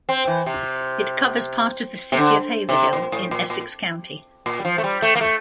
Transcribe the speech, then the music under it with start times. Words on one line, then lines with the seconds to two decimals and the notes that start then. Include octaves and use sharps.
It covers part of the city of Haverhill in Essex County.
0.09 C4
0.27 E3
0.46 C3
2.12 C3
2.18 D3
2.69 C3
2.93 A#2
3.12 A2
3.31 A#2
3.50 A#2
4.46 A#2
4.59 G3
4.65 F3
4.78 A3
4.84 G3
5.02 A3
5.15 A#3
5.21 A3